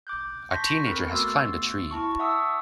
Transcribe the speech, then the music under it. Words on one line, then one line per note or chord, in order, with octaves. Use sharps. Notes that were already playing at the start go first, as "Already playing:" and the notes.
A teenager has climbed a tree.
D6 F#6 G6
A5 C6 C#6 G6 A#6 B6
B3 C4 A4 A#4 B5
A3 B3 F#4 C6 E6 A6
E4 A5 C#6
E5 F#5 A5 C#6 D#6 E6